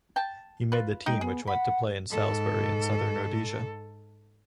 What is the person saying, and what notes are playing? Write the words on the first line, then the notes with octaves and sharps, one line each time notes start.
He made the team which went to play in Salisbury in Southern Rhodesia.
G5 A5
F4 B4
G#3 D#4 D#5 G5
B3 G#4
F#5 B5
G#2 A4